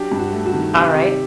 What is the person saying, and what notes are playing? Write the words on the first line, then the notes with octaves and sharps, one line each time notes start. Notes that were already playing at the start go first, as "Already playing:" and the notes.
All right.
Already playing: F#3 D4 G4
G2
F#4
A3
F#4
D#3
C3 G4
C3 G4